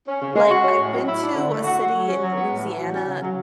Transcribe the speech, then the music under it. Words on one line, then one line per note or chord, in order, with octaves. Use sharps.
Like, I've been to a city in Louisiana,
C#4
C#3
G#3
F#4
C#4
A2
F#3
E4
D4
D3
A3
F#4
F#4
F#3
C#4
F#3
B3
A2
E3
F#4
C#4
C#3
F#3